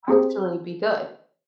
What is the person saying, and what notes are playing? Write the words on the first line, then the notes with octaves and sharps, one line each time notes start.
actually be good.
C4 G4 G#4 C5